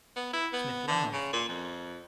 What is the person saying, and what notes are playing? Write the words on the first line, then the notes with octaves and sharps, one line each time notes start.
Smith laughed.
B3
E4
B3
D3
C#3
A#2
F2